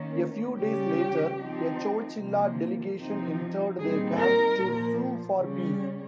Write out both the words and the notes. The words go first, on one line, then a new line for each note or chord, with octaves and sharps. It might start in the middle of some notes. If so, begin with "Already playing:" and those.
A few days later, a Chowchilla delegation entered their camp to sue for peace.
Already playing: D#3 A#3 C#4
C#3 G3 C#4 G4
F3 C4 D#4
C3 F3 A#3
C3 F3 C4 D#4
A#2 G3 C4 D#4 G#4
A#4
A#2 F3 A#3
C#3 G3 C#4